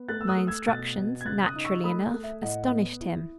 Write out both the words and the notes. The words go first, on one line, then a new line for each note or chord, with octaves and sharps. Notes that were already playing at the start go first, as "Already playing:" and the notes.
My instructions, naturally enough, astonished him.
Already playing: B3
A3 F#6 A6
E6
D#6 F#6
A3
E6 G#6
B2 F#6 A6
B2
G#6
C#3 F#6 A6
D#6 F#6
D#4
C#6 E6
A3 B5 D#6
A3
E5
A2 D#5 F#5
B3
E4